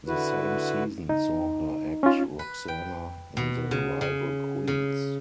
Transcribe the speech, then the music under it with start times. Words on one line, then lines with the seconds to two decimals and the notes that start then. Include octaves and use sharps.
The same season saw her act Roxana in the "Rival Queens".
0.08 D3 E4 F#4 B4
1.09 D#4
2.03 C#4 F4
2.39 B4
2.68 G5
3.37 B2
3.71 C#3
4.01 C#3
4.67 C#3